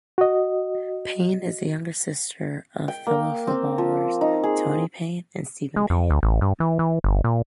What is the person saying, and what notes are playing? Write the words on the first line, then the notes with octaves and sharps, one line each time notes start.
Payne is the younger sister of fellow footballers Toni Payne and Stephen Payne.
F#4 D#5
G5
A#3
C4
F3
D#4
G#4
G#3
F2
D2
A1
G2
E3
E3
G1
A#2